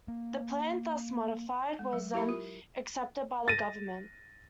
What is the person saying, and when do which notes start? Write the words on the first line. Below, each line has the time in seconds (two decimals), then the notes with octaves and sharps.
The plan, thus modified, was then accepted by the government.
0.08 A#3
1.79 G#3
1.93 F#3
2.14 E4 G4 A#4 E5 B5
2.29 F4
3.48 A6 A#6 D#7